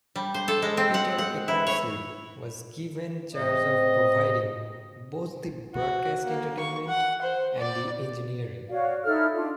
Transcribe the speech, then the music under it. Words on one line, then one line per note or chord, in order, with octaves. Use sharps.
Peter Eckersley was given charge of providing both the broadcast entertainment and the engineering.
G3
C5
A4
G#3
C4
F#5
F#5
E4
C#5
A2 C4 D#5
F#4
A#3
C#6
F#5
C5
D5
F#4 C#5 D5 F5
D#4 E4 A4 F6
D4 F4